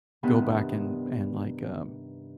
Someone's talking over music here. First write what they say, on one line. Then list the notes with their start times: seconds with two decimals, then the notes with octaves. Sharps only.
go back and and like, um
0.23 G2 C3 D#3 B3